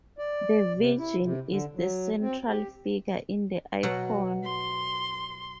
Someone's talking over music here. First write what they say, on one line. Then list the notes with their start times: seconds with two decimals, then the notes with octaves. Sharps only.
The Virgin is the central figure in the icon.
0.18 D5
0.76 C3
0.99 E4
1.23 C3
1.48 D3
1.75 F#3
2.20 C4
2.48 G4
3.83 B2 F#3 F#5
4.45 C6